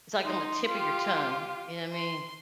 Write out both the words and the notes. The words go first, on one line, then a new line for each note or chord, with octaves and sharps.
it's, like, on the tip of your tongue, you know I mean?
D#4 C6
F4 G4
C6